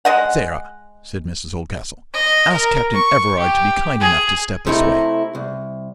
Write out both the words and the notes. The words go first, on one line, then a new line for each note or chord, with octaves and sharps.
"Sarah," said Mrs Oldcastle, "ask Captain Everard to be kind enough to step this way."
G#3 D#5 F#5
D#5
A#4
C#6
G4
G#4
C3 A3 D#4 E4
C2